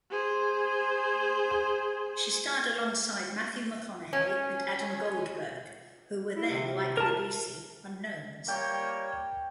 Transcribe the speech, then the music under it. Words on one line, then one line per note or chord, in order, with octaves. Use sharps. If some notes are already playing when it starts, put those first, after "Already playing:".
She starred alongside Matthew McConaughey and Adam Goldberg, who were then, like Ribisi, unknowns.
G#4 C5
C#4
E4
C3
A#4 A5
G3 A#3 C#5 G5